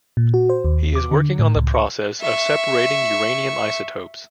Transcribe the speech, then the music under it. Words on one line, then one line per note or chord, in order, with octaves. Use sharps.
He is working on the process of separating uranium isotopes.
A#2
F#4
C5
D#2
D6
D3
A2
C#2
C#6
E5 C#6